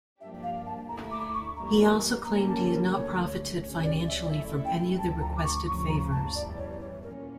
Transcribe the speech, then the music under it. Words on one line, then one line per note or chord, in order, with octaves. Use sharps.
He also claimed he had not profited financially from any of the requested favors.
G2 F3 A#3 D4 G4 E5
F5
A5
D2 D3 A3 E4 A#5
D6
C#6
E3 G3 A#3 A#5
D3 G3 A#3 C#4 A#5
A5
A#4
D2 D3 A3 C#5
C#2 C#3 G3 C#4 C#5
D5
E5
D5
C#3 F3 A3 E4 A4 E5
G5
D2 D3 F3 A5
A#5
D6
C#6
D2 C#3 F3 C#6
A#5
A5
E2 E3 G3 D5
C#5
C#5
A#2 F3 C#4 A#4